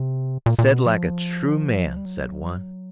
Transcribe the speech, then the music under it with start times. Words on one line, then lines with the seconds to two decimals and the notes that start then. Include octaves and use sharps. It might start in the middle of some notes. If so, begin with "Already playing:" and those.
"Said like a true man," said one.
Already playing: C3
0.46 A#2
0.59 A#2
0.72 B2
0.86 F3
1.97 G3
2.05 F#3